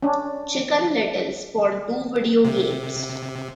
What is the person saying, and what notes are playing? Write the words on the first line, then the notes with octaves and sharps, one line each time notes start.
"Chicken Little" spawned two video games.
C#4 D4
C3